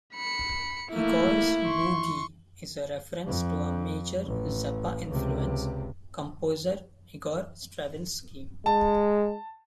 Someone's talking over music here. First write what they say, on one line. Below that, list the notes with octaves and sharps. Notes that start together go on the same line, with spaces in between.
"Igor's Boogie" is a reference to a major Zappa influence, composer Igor Stravinsky.
B5 C#7
A3 A#3 E4
C6 C#6
F2
A1
C#2 C3
G#3 A5